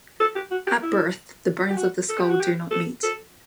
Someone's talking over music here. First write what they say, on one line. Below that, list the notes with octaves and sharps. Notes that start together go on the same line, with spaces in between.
At birth, the bones of the skull do not meet.
A4
G4
F#4
G4
E4
G4
F#4
A4
G4
F#4
G4
A4
A4